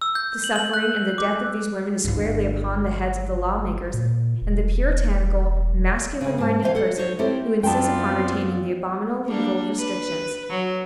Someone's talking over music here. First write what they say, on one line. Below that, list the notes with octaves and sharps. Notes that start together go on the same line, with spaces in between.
The suffering and the death of these women is squarely upon the heads of the lawmakers and the puritanical, masculine-minded person who insist upon retaining the abominable legal restrictions.
E6
G6
F#7
F#7
F#6
D6
G1 F4
A#2
E1
D2 C#3
G#2 A5
D2 E3 C5 D#5 F5
A4 F#5
D#4 C5 C#5
A3 C4 E4 G4 A4 A#4
F#2 B3 C4 F4 D5 G5 A5
G3 A#3 D4
B4
F#3